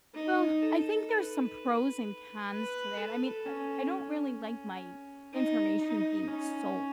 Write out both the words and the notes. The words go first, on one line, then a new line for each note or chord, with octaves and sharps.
Well, I think there's some pros and cons to that, I mean, I I don't really like my information being sold.
D#4
A4
B4
B4
A4
C#4
C#4
D#4
D#4
C#4